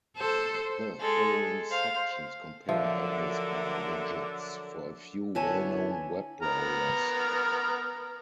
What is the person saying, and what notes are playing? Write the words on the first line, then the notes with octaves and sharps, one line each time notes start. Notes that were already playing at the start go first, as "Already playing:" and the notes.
The following sections compare address bar widgets for a few well-known web browsers.
A4 C5
G#3 A4
C5 F5
D3 F3 F#3 A4 A#4 E5
D3 B3 E4 C#5 G#5 A5
B3 A#5 F6